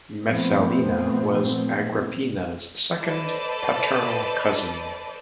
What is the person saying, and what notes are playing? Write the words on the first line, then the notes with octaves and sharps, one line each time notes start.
Messalina was Agrippina's second paternal cousin.
A#2 F3 A3 B3 C4
A4 B4 C5 D5 D#5 A5